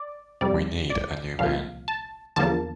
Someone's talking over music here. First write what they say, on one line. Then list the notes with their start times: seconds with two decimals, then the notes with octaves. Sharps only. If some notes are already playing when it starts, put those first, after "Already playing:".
We need a new man.
Already playing: D5
0.41 F2 C3 G3 D5
0.90 D5
1.39 C2 A#2 F3 F5
1.88 A5
2.36 E2 D3 F3 A#3 A5